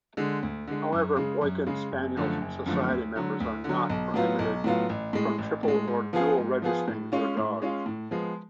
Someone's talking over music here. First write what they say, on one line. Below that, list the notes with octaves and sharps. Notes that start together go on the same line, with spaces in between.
However, Boykin Spaniel Society members are not prohibited from triple or dual-registering their dogs.
D3 G#3
D2
D3 G#3
F#2
C#3 G#3
F#2
C#3 G#3
F#1
F#2 D3 F3 A3
F#1
F#2 D3 F3 A3
D2
D3 F#3
D2
D3
F#3
B1
A2 F#3 B3 F4
B1
A2 F#3 B3 F4
A1
A2 G#3
A1
A2 G#3
G#2
F3 B3 F4 G#4
G#2
F3 B3 F4 G#4
A2
G#3 C#4 F4
A2
G#3 C#4 F4
A2
F3 G#3 B3